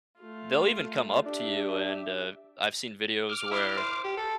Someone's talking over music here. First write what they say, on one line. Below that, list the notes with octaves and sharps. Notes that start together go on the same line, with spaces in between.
they'll even come up to you, and, uh, I've seen videos where
A3 F4
D4 G4 E5
D6 F6
E4
C5
G4
A4